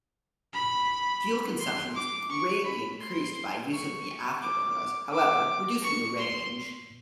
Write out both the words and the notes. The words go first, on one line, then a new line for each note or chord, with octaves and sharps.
Fuel consumption was greatly increased by use of the afterburners, however, reducing the range.
B5
C6
D6
C#6
B5
C6
C#6
D6
D6
C#6
C6